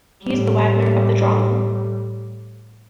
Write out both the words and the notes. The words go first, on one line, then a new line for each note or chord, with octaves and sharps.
He is the Wagner of the drama.
A2 G3